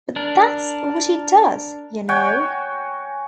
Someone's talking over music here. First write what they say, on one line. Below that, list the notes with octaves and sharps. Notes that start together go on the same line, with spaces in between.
But that's what he does, y'know?
D4 A#4
F#4 C#5 G5 G#5